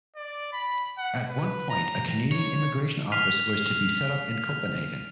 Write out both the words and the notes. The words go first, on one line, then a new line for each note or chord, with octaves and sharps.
At one point, a Canadian immigration office was to be set up in Copenhagen.
D5
B5
F#5
B4
A#5
C#5
F6 B6 C7 D#7 F7